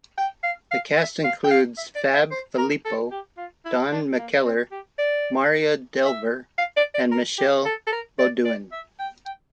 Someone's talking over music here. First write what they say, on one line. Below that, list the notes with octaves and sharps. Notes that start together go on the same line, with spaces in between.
The cast includes Fab Filippo, Don McKellar, Marya Delver and Michelle Beaudoin.
G5
F5
F5
E5
F5
G5
F5
E5
D5
E5
C5
A#4
A4
G4
F4
E4
D4
A#3
C4
G4
D5
E5
F5
D5
D5
A#4
G4
A4
A4
A#4
D5
D5
E5
G5
G5